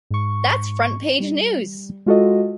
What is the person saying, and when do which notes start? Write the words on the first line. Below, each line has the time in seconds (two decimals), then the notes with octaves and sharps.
That's front-page news!
0.11 G#2 C#6
1.20 G3
2.06 G#3 F4 F#4 A4 D#5